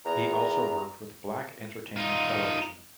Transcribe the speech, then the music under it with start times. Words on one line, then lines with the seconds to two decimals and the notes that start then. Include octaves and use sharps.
He also worked with Black Entertainment Television.
0.05 E2 A#5
1.97 D#4 F4